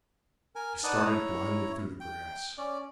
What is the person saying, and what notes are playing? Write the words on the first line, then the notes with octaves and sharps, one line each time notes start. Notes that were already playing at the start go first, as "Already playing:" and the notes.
He started blindly through the grass.
A#4 G#5
D#4 B4 D5 F#5 A5 D#6
E4 C#5 A#5
G5
C#4 D5